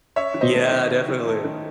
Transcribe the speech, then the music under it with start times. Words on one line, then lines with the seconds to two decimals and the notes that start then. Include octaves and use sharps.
Yeah, definitely.
0.16 C#4 C#5 E5
0.34 D#3
0.41 C5 D#5
0.53 A3
0.65 C5 D#5
0.71 D#3
0.90 C#4
1.08 D#3
1.27 A3
1.44 D#3